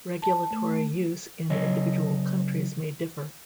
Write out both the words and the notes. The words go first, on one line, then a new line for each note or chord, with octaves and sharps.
Regulatory use in individual countries may differ.
A5
A3
C#3 F#3 C#5 D#5